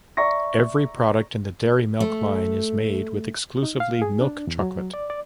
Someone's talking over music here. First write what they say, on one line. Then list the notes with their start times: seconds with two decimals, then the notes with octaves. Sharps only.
Every product in the Dairy Milk line is made with exclusively milk chocolate.
0.17 D5 E5 A#5 C#6 A#6
2.00 A3
3.63 D#4
3.80 F5
4.02 G#4
4.21 D4
4.47 E2
4.60 F#3
4.94 D5
5.10 D5